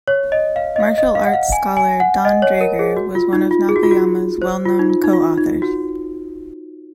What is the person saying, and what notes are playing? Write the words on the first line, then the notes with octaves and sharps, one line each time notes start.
Martial arts scholar Donn Draeger was one of Nakayama's well-known co-authors.
C#5
D#5
F5
D#5
F5
D#5
F5
F#5
F5
G#5
G#5
F#5
D#5
C#5
A#4
G#4
F#4
F4
D#4
F4
G#4
F#4
F4
F#4
C5
F4
D#4
F4
D#4
F4
D#4
F#4